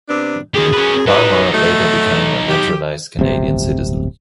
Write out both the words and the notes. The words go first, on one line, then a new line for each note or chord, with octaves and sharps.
Parmar later became a naturalized Canadian citizen.
C3 B3 D4
F#2 D#3 G4 G#4
C#4 B4
F#3 G3 D#4 B4
A3
G4
D1 G1 C3